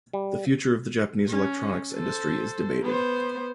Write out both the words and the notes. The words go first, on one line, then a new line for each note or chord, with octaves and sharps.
The future of the Japanese electronics industry is debated.
G3
C#4
A4 C5
B3 C5